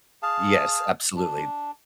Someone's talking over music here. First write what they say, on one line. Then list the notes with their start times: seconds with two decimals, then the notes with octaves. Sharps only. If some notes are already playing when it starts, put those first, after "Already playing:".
Yes, absolutely.
0.23 G#4 F5 A5
1.16 D4